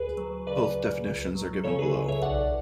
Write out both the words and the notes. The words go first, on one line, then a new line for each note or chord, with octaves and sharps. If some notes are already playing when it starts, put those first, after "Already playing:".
Both definitions are given below.
Already playing: D2 G#4 B4
F#3
C#3 B4 D5
D2
C#2
F#3
C#3 A4 C#5
G#4 B4
C#2
C#5 E5
B1 D5 F#5